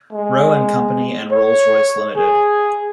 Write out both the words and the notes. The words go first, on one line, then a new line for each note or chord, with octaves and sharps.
Roe and Company and Rolls Royce Limited.
G#3
C#5
G#4